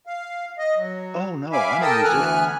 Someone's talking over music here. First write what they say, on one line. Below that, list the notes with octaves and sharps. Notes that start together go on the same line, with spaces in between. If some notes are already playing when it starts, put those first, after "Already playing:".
Oh, no, I'm a musician.
F5
D#5
F#3
E5 F5 G#5 B5 D6
A4 A#4 G5 A5 D#6 E6
D2 E3 B3 G#5 F6 F#6